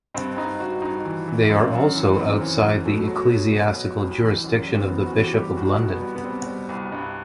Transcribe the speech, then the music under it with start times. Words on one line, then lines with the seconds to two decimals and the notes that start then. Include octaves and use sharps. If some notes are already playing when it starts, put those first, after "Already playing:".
They are also outside the ecclesiastical jurisdiction of the Bishop of London.
0.14 G2 C4
0.37 G2 D#4
0.60 G2 F#4
0.82 G2 D#4
1.05 E3
1.28 E3
1.50 F#2
1.73 F#2
1.95 E3
2.18 F#2 C4
2.41 E3
2.62 F#2
2.86 B2 A3
3.08 F#3
3.30 F#3
3.54 B2
3.75 F#3
3.98 C2
4.21 E3
4.44 F#2
4.66 G3
4.77 C4
4.88 E3 B3
5.06 F#4
5.11 E3
5.23 G4
5.33 G3 G4
5.39 F#4
5.57 C2 F#4
5.79 B2
5.90 B3
6.02 G3
6.15 B3
6.24 G3 C4
6.46 G3
6.69 C2
6.92 G2